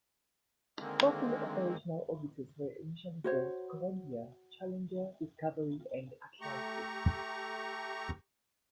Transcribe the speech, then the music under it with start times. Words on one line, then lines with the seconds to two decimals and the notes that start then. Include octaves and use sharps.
Four fully operational orbiters were initially built: "Columbia", "Challenger", "Discovery", and "Atlantis".
0.80 D3 D#3 G#3 A#3 C4
3.24 F#4 C5 C#5
6.41 A3 G4 A#5 C#6